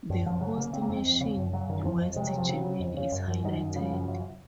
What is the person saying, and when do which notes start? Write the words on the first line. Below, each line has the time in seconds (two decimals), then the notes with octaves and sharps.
The host nation, West Germany, is highlighted.
0.10 F#2
0.26 F#2 F3
0.41 C#3 F#3
0.58 C#3 A#3
0.73 C#3 C4
0.82 A#3
0.89 F2 C4
1.06 F2
1.21 C#3
1.37 F#2
1.53 C#3 F#3
1.69 F#2 D#3
1.85 F2 F3
2.01 F2
2.16 C3 G#3
2.27 F#3
2.33 C3 F3
2.49 C#3 F#3
2.65 C#3
2.80 F2
2.97 C#3
3.12 F#2
3.28 F#2
3.44 F#2 D#3
3.60 F#2
3.76 C#3 F3
3.92 F#2
4.08 F#2